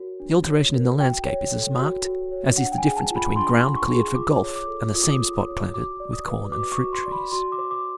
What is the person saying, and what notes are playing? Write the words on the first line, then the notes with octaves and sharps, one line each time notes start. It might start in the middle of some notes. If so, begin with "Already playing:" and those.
The alteration in the landscape is as marked as is the difference between ground cleared for golf and the same spot planted with corn and fruit-trees.
Already playing: F#4 A#4 C#5
D4
C#5
A#4
F#4 G5
C#5
A4
F#4
F#4
C#5
D4 F#5
G5
G#5
G#4
A5
F4
B5
D4 C6
D4
C#6
G#4
C6
F4 D6
C#5
D6
A4
F4 D#6
D6
D#6
F4
D#6
C#5
F#4 D6
D5
D#6
B4
F#4 D6
C#6
F#4
C6
D5
B5
F#4 C6
D6
C5
D6